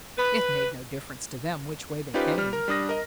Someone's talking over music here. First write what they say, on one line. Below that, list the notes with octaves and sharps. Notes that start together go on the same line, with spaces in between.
It made no difference to them which way they came.
B4
C#4 D#4 F4 G4 B4 C5
G3 F6
A#4
G3 D4 D#6 A#6
A#4 D#5